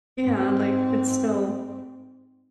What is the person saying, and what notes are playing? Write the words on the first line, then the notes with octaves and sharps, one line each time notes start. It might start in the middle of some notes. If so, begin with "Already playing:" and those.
Yeah. Like, it's still
G#2 C4